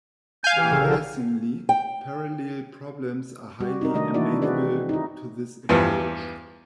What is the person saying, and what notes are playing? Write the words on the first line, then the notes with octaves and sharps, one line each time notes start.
Embarrassingly parallel problems are highly amenable to this approach.
F5 G#5 G6
E3 G4 B4 F6
A#1 C#3 A4
D3 A#4
G5
G3 F#4 G4
D#4 A#4
C3 D#3 A3 D4 D#5
E3 D4 E4 F#4 D5
C4 F#4 G#4 B4 D5
D#4 E4
E2 G2 F3 B3